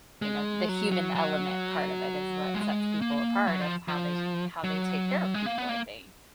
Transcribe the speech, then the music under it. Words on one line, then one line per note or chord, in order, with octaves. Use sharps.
you know, the human element part of it is what sets people apart of how they how they take care of people, I think.
G#3
F#3
F#3
F#3
G#3
A#3
F#3
F3
F3
F#3
G#3
A#3
B3
A#3